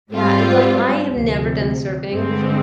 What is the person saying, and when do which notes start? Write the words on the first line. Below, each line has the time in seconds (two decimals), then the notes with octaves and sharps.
Yeah, it's like, I have never done surfing.
0.11 G#2 G3 C4 F4
1.11 D2 C3 F3
2.12 G2 D3 G#3 C4